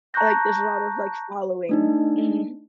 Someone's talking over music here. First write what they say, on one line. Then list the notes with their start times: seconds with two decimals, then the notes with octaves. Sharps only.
like, there's lot of, like, following. Mhm.
0.14 A5 A#5 C#6 F#6 G6 A#6
1.69 A3 D4 D#4